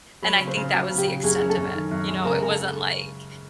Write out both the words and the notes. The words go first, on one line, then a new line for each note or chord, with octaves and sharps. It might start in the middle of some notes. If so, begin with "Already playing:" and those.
And I think that was the extent of it. You know? It wasn't like,
F#3 B4 C#5
C#3
C5
C#3
F#3 F#4
C#3
G4
C#3
F#2 G#4
C#4
A4
F#2
D#3
F#2
G#3
C#3 A#4
C#3 A#4
A4